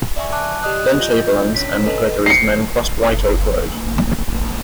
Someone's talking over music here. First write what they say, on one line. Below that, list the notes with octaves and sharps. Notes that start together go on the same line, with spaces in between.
Then Chamberlain's and Gregory's men crossed White Oak Road.
D5 E5 G#5 C#6
A5 D6 F#6
G4 D5 D#5 D#6 F#6
F4 D#5 G6
C#4 D4 C#5 B6
A4 B4 D#5
C7 C#7